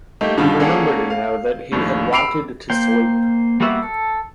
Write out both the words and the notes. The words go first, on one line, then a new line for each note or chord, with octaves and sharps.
He remembered now that he had wanted to sleep.
A3 A#3 D#4 G4
G2 B2 D3 D#3 G3 F4
A#3 C#4 G#4 A4 D5 F#5
F5
A#1 D#2 A2
B5 E6 C7 D7 F7
A#3 C5 G5
G3 A#3 B3 F#4 E5
A4